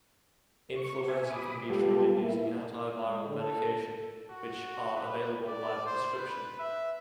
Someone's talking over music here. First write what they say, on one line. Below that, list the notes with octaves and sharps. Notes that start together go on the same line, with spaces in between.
Influenza can be treated using antiviral medication, which are available by prescription.
C#6
E5 G#5
B5 D6 D#6
G3 G#3 B3 F4 G4 A4
A#3 E4
G#3
D3
A4
F#4
B4
D5
C5
B4
E5